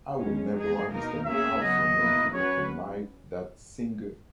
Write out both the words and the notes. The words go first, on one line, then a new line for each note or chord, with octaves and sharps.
I will never understand how so many people can like that singer!
B2 G#3 C#4
G#3 D#4 G#4
B2 A#3 D#4 A#4
A#3 C#4 G#4 E5
C#3 F#3 B3 D#5
B2 A#3 E4 B4
F#3 C#4 F#4 B4 C#5